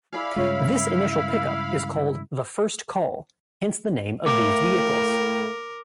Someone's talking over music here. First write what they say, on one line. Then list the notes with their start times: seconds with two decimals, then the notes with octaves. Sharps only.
This initial pickup is called the "first call", hence the name of these vehicles.
0.13 E4 G#4 D5 F5 B5
0.36 G2 C#3 G#3 F4 C#5
4.26 A2 A#3 A#4 D6